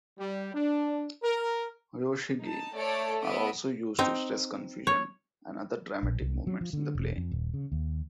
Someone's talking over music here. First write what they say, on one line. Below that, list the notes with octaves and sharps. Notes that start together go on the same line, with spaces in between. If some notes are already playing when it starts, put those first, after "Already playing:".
Hyoshigi are also used to stress confusion and other dramatic moments in the play.
G3
D4
A#4
D#4 A5
A3 A4 C#5 D5 D7
B3 D#5 E5 D7
C4 D#4
C#5
A#1
C2
F#3
F3
D3
E1
F2
D#1
C#3
D#2